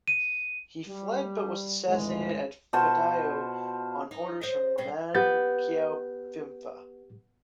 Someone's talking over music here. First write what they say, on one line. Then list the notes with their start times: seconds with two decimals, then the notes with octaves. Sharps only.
He fled but was assassinated at Phadao on orders from Nang Keo Phimpha.
0.08 D#7
0.87 G3
1.87 G#1 D2 E3 G#3
2.73 B2 F4 C5 A5
4.11 D#4
4.41 C5 D#5
4.78 B2 G3 C4
5.15 B3 G4 G6 A6